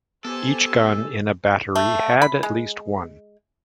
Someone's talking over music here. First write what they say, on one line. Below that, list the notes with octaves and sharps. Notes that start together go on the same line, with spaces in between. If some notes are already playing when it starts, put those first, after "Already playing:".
Each gun in a battery had at least one.
B3 G4 A4 C5 G#5
A3
B5
G#3